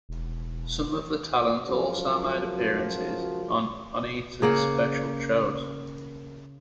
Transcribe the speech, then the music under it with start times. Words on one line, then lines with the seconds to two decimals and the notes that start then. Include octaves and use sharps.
Some of the talent also made appearances on Onita's special shows.
0.09 E1
1.65 C#2 F#2 F3 F#3
4.42 C#3 A#3 F#5